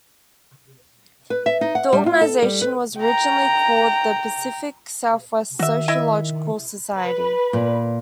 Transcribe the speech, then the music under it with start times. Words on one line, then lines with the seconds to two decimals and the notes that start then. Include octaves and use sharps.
The organization was originally called the Pacific Southwest Sociological Society.
1.30 B4
1.46 E5
1.61 D#4
1.75 F#5
1.93 G3
2.06 F4
2.21 A4
2.42 G3
2.61 B4
3.01 G5 A#5
5.59 D#3 F#4 E5
5.88 E4 D#5 E5
6.98 B4
7.53 A#2